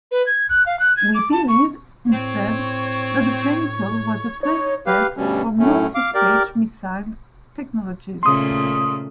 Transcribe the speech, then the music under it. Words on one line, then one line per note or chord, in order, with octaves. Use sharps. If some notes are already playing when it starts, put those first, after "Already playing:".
We believe instead that the vehicle was a test bed for multi-stage missile technologies.
B4
G#6
F#6
F5
F#6
G#6
D6
A5
C#6
A2 C4 C#5
D#4 C#5
G4 B4 F5
D2 G2 B2 G3 C#4
F#2 A2 A3 C#4
F5 D6
G4 A#4 D5
A#2 C#3 A3 C6 D#6